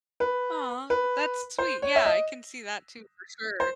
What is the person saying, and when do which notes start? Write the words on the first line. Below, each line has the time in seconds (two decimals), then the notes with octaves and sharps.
Aw, that's sweet. Yeah, I can see that too, for sure.
0.20 B4
0.90 B4
1.58 C5
1.82 C#5
1.96 E5
2.06 D#5
3.60 C5